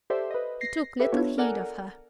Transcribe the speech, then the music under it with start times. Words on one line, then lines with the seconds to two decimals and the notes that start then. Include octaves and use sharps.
He took little heed of her.
0.10 G4 A4 C5 D5 E5
0.31 B4 D#5
0.61 A#6 C7
0.99 G4 A4 B4 E5
1.12 B3 D4 F4 C#5
1.38 A4 A#4 D5 F#5 G#5